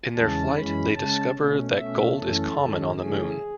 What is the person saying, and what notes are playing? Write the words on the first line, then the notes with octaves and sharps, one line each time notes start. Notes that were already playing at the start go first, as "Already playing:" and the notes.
In their flight they discover that gold is common on the moon.
E2 C#3 E3 G#3 C#4 A5
F#2 E3 G#3 C#4 B5
C#3 G#3 C#4 A5
B2 A3 C#4
B2 A3 C#4 E5
F#2 E3 A3 C#4 A4
G#2 D#3 G#3 C#4
C#3 E3 A3 C#4 G#4